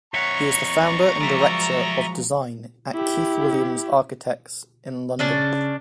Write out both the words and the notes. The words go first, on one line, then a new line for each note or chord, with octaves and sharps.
He is the founder and director of design at Keith Williams Architects in London.
F2 C#5 E5 F#5 A#5 C#6
F3 F#3 G#3 D5 E5
E4 G4
C#3 C#4 D4 A5